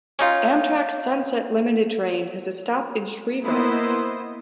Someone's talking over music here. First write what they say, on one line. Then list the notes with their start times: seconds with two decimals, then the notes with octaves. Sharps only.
Amtrak's Sunset Limited train has a stop in Schriever.
0.19 C#4 D#4 F4
3.44 A#3 B3 E4 C5 D#5